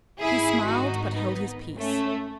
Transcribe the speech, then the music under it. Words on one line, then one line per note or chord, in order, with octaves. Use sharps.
He smiled, but held his peace.
G#1 G#2 D#3 E4 G#4
D#4 F#4
B3 D#4
A3 C#4